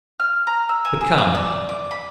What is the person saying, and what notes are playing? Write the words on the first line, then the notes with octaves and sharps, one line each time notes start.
But come!
F6
A#5
E6
G#5
G#4
D6
D5
D6
B5